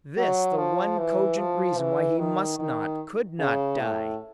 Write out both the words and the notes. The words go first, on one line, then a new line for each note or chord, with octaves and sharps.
This the one cogent reason why he must not, could not, die....
F#3
F3
E3
F3
E3
D#3
D#3
C#3
A2